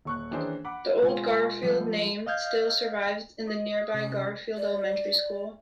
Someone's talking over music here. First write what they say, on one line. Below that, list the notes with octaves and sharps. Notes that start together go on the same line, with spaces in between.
The old "Garfield" name still survives in the nearby Garfield Elementary School.
D#1 C#6 F#6
D#3 E3 C#4 D4 G#4 C5
F#5 B5 D6
B2 G#3 F4 G#5
F3 G3 A3
D#5 F5 F6 G6 G#6
D#5
C3 C#4
D5